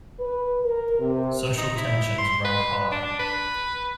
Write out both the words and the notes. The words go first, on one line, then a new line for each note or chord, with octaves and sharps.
Social tensions ran high.
B4
A#4
C3
D#4
E4
C6
B4
D4
B4